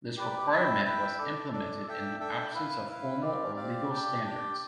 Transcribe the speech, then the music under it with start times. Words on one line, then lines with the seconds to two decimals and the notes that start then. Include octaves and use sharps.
This requirement was implemented in the absence of formal or legal standards.
0.17 G4 B4 D5
0.50 E4 B4 E5 G5
0.84 E4 B4 E5 G5
1.18 D4 A4 D5
1.52 D4 A4 D5
1.86 D4 A4 E5 G5
2.20 D4 A4 E5 G5
2.54 E4 B4 F5
2.88 E4 B4 F5
3.21 C4 G4 D5 F5
3.56 C4 G4 D5 F5
3.89 D4 G4 D5 G5
4.23 D4 G4 D5 G5